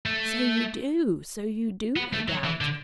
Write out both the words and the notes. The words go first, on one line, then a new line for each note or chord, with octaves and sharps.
'So you do, so you do, no doubt.
A3
B3
A3
F#3
E3
D3